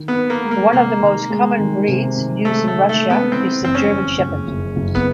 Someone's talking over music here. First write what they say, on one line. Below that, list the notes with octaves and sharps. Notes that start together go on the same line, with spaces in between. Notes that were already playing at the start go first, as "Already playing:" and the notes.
One of the most common breeds used in Russia is the German Shepherd.
Already playing: D#3
B3
D#3
A#3
G#3
A#3
C3 A#3
D#3
G#3
D#3
C3
D#3
G#3 A3
A3
D#3
A3
G#3
B3
E3 C4
F#1 C4
C#4
F2
F#1
F#1
F#1
B3